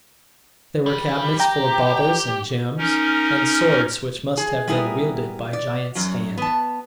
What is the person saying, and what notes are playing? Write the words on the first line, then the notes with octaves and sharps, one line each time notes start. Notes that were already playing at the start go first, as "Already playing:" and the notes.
There were cabinets full of baubles and gems, and swords which must have been wielded by giant's hand.
G3
G4 G5 A#5
C#4 D#4 A#4
G#4
G3 B3 E4 G#4 A#4
D5
F#2 F#3
B3 A5